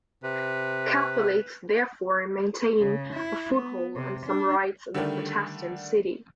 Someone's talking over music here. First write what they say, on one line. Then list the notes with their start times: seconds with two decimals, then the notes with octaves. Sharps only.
Catholics therefore maintained a foothold and some rights in the Protestant city.
0.24 C3 B4
2.78 C#3
3.13 E4
3.53 B3
3.95 C3
4.26 D4
4.94 D3 D#3 G3 A3 D4